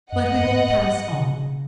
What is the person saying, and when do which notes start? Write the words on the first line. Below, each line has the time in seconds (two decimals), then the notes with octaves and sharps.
But we will pass on.
0.12 F#2 D#5 F#5
0.36 F#2
0.45 G#2
1.12 C#3
1.20 B2
1.28 C#3